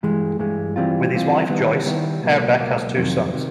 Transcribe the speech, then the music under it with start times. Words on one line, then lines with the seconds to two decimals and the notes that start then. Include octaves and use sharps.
With his wife Joyce, Herbeck has two sons.
0.03 G2 E3 G#3
0.39 G2 E3 G#3
0.76 E3 G3 C4 F4
1.13 E3 G3 C4 F4
1.50 D#3 G3 B3 E4
1.86 D#3 G3 B3 E4
2.23 C#2 B2 F#3 A#3
2.60 C#2 B2 F#3 A#3
2.96 F2 C3 D#3 F#3
3.33 C3 D#3 F#3